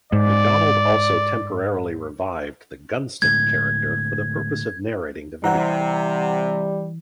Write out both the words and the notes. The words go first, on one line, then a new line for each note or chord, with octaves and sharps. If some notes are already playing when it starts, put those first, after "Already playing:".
McDonald also temporarily revived the Gunston character for the purpose of narrating the video.
G#2 D5
A2 D3 G#3 G#6
C3 E3 G3 F#5 A#5